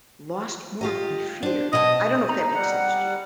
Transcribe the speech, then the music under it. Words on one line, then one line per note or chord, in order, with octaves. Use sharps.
lost more of my fear, I don't know if that makes sense to you.
F4 G4 D#5
D4 C5
B2 D#5 E5 A5
D#4 A#5
G3 F#5